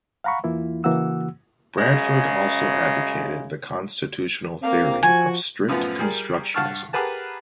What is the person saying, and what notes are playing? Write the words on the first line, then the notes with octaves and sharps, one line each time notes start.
Bradford also advocated the constitutional theory of strict constructionism.
F5 F#5 A#5 B5 C#6
E2 E3 A#3 E4 F4
C#3 E3 A#3 F#4 F#5 E6
F#2 C#3 G#3
A#3 C4 F5
F3 F#4 G#5
F#2 A2 F3 B3
G3 G#4 A#4
G2 F5 F#5 A5 C#6 F6
G4 G#4 A#4 B4 F#5 A5